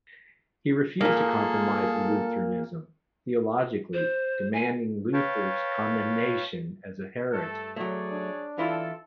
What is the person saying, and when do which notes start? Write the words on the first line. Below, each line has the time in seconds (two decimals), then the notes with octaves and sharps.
He refused to compromise with Lutheranism theologically, demanding Luther's condemnation as a heretic.
1.01 A#2 A#3 G#4 A4
3.94 C5
4.53 G#5
5.13 B4 C#5 F5 G5 A5
7.33 G2 A3 A4
7.76 F#3 A3 G#4 C#5 D5
8.12 D4
8.58 E3 E4 F4 A4